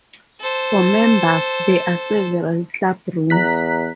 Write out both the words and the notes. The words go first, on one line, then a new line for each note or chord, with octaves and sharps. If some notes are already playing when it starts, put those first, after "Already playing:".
For members there are several club rooms.
A4 C5
E2 A#5 F#6 B6